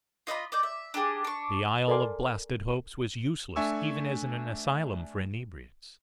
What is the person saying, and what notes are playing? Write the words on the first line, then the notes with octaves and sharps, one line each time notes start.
The Isle of Blasted Hopes was useless even as an asylum for inebriates.
F4 D#5 F#5 B5
D5 D#5 G5
E5
D4 G4 G#4
D4 C#6
A4 A#4 D5 G#5 C6 D6
A3 D4 E5 G#5 C#6 E6